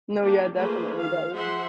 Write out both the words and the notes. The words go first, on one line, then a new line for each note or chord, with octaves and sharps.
No, yeah, definitely. That would
A#3 D4 G4
F3 A3 A#3 G#4 B4 C5
D#3 F5
F3 G#4 C5 E5 F#5 C6